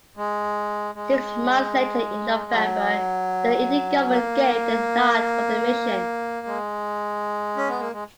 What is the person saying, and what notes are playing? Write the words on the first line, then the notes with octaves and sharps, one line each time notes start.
Six months later, in November, the Indian government gave the nod for the mission.
G#3
G#3
F#3
A#3
G#3
C#4
B3
A#3
G#3